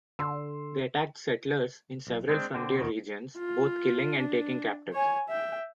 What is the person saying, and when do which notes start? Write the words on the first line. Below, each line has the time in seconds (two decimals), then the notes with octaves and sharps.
They attacked settlers in several frontier regions, both killing and taking captives.
0.19 D3 C6 E6
2.07 B1
2.29 G#3 C4 D4
2.54 B2 D3 C4
2.78 E2 B2 D#3
3.38 F4
4.18 D4
4.93 C#5 G#5
5.29 E5 G5